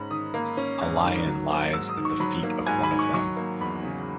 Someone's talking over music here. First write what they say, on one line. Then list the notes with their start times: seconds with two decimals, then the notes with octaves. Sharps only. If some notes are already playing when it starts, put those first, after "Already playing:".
A lion lies at the feet of one of them.
Already playing: G#2 C#4 A#5 B5
0.11 D#3 D#6
0.34 A#3
0.57 C#4
0.81 G#2
1.03 D#3
1.27 F#3
1.50 A#3
1.73 G#2 E6
1.89 D#6
1.97 D#3
2.05 C#6
2.20 F#3 B5
2.43 A#3
2.67 G#2 G#5
2.83 B5
2.91 D#3
2.99 C#6
3.14 F#3 C#6
3.37 A#3
3.60 E2 B5
3.83 C#3